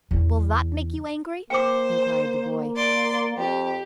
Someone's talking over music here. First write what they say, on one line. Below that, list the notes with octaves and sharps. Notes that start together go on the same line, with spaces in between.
"Will that make you angry?" inquired the boy.
E2 C#3
A#3 C5 G5 D6
D5 C6
F2 G4